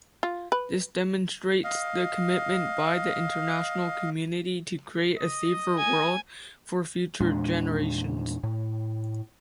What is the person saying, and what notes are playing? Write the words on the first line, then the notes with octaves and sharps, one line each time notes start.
This demonstrates the commitment by the international community to create a safer world for future generations.
F4
B4
D#5 F5
D#5
G#5
E2 A#2 G#3 D4
A2